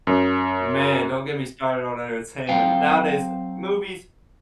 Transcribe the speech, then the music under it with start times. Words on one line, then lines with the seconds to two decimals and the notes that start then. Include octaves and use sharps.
Man, don't get me started on entertainment. N Nowadays, movies,
0.07 F#2
2.49 F#3 C4 F5 G5